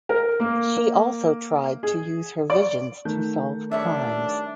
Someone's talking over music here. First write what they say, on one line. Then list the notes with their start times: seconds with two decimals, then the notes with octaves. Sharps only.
She also tried to use her visions to solve crimes.
0.09 A#4
0.40 A#3
1.83 G#4
2.50 D5
3.05 D#3 A3 G6
3.72 G3 D4 C#5 E5